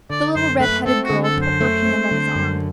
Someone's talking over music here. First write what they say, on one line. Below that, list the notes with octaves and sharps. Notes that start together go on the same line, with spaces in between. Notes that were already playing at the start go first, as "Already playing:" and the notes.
The little red-headed girl put her hand on his arm.
D3 D5
F#2 C5
A3 B4
C4 A4
F#4
D3
A4
F#2
C5
A3
C4
D3
F#2